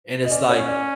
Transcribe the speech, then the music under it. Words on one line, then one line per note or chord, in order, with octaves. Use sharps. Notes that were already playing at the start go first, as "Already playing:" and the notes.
And it's like,
D#5
C#4 D5
C#5
D5